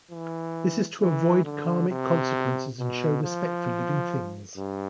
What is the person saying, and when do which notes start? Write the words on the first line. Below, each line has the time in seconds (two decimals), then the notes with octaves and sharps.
This is to avoid karmic consequences and show respect for living things.
0.11 E3
1.00 E3
1.45 D3
1.89 C3
2.79 B2
3.23 F3
4.57 G2